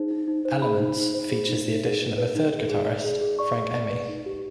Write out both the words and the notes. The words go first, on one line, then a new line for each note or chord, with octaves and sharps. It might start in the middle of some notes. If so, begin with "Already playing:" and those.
"Elements" features the addition of a third guitarist, Frank Emmi.
Already playing: D#4 G#4 C5
D#4
D#4
C5
G#4 B5
D#4
D#4
C5
G#4
D#4
D#4
G#4
B4
B4
D#4
G#4
G#4
D5
G#4
G#4
D5 C#6
G#4
D5
B4
D#4
G4